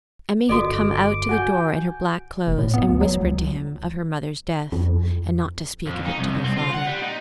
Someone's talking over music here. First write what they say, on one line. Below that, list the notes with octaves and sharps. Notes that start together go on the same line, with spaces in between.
Emmy had come out to the door in her black clothes and whispered to him of her mother's death, and not to speak of it to their father.
G1 F#4 A4 D#5 D6
F#4 G#5 G6
F1
A2
B3
D2
F#3
C#2
F2
F2
D#4
C2
C4
F4
F#5
G3
D#4